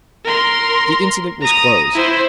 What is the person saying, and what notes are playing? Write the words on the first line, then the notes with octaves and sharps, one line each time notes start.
The incident was closed.
A#4 C6
A#5 D#6
E4 C5